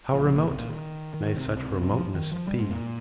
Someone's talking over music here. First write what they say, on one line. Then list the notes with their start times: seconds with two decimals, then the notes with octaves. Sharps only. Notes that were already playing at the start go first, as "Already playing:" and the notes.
How remote may such "remoteness" be?
0.13 A#2 F3
0.17 C2
0.25 F3
0.35 A#2 A#3
0.47 C3 C4
0.58 A#2 A#3
0.69 D#3
1.14 D#3
1.25 D#3
1.36 C3 C4
1.47 C#2 C3
1.81 C3 C4
1.92 F3
2.14 D#3
2.31 F3
2.47 G2 G3
2.59 G#2 G#3
2.70 A#2 A#3